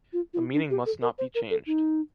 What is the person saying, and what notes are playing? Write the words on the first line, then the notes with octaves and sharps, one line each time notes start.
The meaning must not be changed.
F4
F4
E4
D4
G4
A4
A#4
C5
A#4
A4
D#4